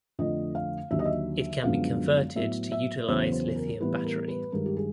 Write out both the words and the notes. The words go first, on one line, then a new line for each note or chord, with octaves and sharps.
It can be converted to utilize lithium battery.
F2 D3 F3 A3 D#5
F5
D#2 D3 F#3 E5
D#5
E5
F#2 D3 F3 G#3 B3 F5
A2 F#3 B3 E5
E5
E2 C#3 F#3 B3 C5
C5
A#4
A2 E3 G3 B3 B4
A#4
B4
G2 D#3 G#3 A#4
G4
G#4